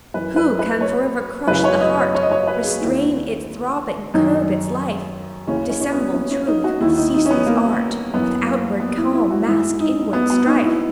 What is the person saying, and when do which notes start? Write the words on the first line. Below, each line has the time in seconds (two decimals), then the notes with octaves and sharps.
"Who can for ever crush the heart, Restrain its throbbing, curb its life? Dissemble truth with ceaseless art, With outward calm mask inward strife?"
0.14 F#2 E3 B4
0.36 B4
0.48 A#4
0.59 B4
0.81 C#5
1.48 F#2 C#3 E3 B4
1.64 C#5
1.81 D#5
1.98 C#5
2.15 C#5
2.23 D#5
2.32 C#5
2.47 B4
2.64 G#4
2.81 D#2 D#3 E4
4.14 F#2 D#3 D#4
5.47 D#2 C#3 E3 C#4
5.70 C#4
5.81 C#4
5.92 B3
6.14 C#4
6.31 C#4
6.47 D#4
6.64 F#4
6.80 D#2 D#3 E4
6.97 D#4
7.14 D#4
7.26 C#4
7.31 B3
7.46 A#3
8.14 F#2 E3 B3
8.47 A#3
8.80 B3
8.97 E4
9.13 E4
9.31 F#4
9.47 G#2 E3 E4
9.80 D#4
10.13 B3
10.30 B3
10.46 D#4
10.63 E4